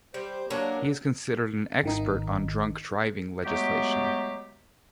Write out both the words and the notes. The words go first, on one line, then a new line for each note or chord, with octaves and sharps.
He is considered an expert on drunk driving legislation.
G3 C5
F#3 A#3 D4 A#4
G#1 D#3 D#4
F#3 G#3 A3 B3 G4